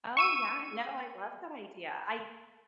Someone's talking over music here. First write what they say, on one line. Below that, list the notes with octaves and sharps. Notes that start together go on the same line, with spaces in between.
Oh, yeah, no, I love that idea. I
C#6 E6 D#7